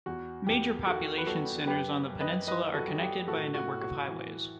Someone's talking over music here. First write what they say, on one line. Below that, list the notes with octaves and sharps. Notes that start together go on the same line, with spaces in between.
Major population centres on the peninsula are connected by a network of highways.
E2 F#4
E2 G4
D#3 F#4 A4
B4
G3 F#4 A4
F#2 G4 B4
F#2
B4 D#5
E3 B4 D#5
F#4 A4
G3
G4
A2 F#4 A4
F#4
A2
F#4
E3